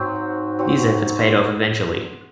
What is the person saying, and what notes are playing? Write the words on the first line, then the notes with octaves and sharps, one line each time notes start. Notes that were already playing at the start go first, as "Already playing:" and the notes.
These efforts paid off eventually.
Already playing: G#2 F#3 C4 F#4
F#3 C4 F#4